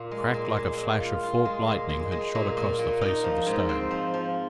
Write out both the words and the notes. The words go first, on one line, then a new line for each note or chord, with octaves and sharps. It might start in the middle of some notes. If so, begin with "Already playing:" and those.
A crack like a flash of forked lightning had shot across the face of the stone.
Already playing: A#2 F4
G#3
A#2
G#3
A#2
F4
F4
G#3
A#2
G#3
G#3
A#2
A#2
A#2
D#4
F3
G#2
C4
F3
F3